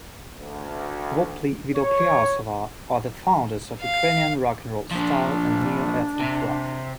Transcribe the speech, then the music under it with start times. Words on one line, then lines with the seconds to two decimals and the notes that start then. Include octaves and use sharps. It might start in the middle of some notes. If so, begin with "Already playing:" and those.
Vopli Vidopliasova are the founders of Ukrainian rock-n-roll style and neo-ethnic rock.
0.37 D2
1.75 C#5
3.82 F5
4.91 A#2 F3 D4
6.20 C3